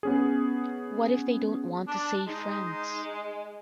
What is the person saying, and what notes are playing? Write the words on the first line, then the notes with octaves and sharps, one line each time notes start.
What if they don't want to say friends?
B3 C#4 G#4
D4 A5
G#3 D#4